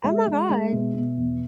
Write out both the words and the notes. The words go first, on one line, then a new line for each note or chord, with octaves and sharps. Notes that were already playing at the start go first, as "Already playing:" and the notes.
Oh my god.
G#3 E5
G#3
G#3
B2
B2
E2